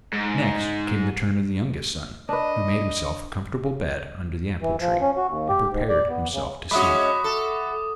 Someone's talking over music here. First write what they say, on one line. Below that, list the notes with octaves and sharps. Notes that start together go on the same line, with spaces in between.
Next came the turn of the youngest son, who made himself a comfortable bed under the apple tree, and prepared himself to sleep.
G#2
D4 B4 D#5
E3
F3
C#4
F#4
D#2
G4
G#2
D5
B3
C#3
G#3 C#4 F#4 E5 B5 D6 D#6
A4